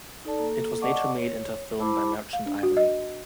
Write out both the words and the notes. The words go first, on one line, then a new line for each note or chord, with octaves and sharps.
It was later made into a film by Merchant Ivory.
D#4 A4 D5 A5
A#3 A4
D5 D#5 F#5 A5 C#6 D6
C#5
E4 C5 A5 B5 D6
F5
D4
F#4
D#5